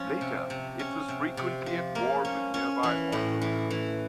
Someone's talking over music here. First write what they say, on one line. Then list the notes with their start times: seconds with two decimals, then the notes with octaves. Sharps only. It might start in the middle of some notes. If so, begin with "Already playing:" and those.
Later it was frequently at war with nearby Ortona.
Already playing: F3 C#4
0.21 C3
0.50 C3
0.79 C#4
1.08 C3
1.37 C3
1.66 F3
1.95 A#3
2.25 C#4
2.54 C#4
2.83 E3
3.12 A2
3.41 E3
3.70 E3